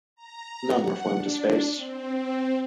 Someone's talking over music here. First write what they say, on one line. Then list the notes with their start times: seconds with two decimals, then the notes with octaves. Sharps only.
None were flown to space.
0.16 A#5
0.75 F#5
1.14 D4
1.75 C4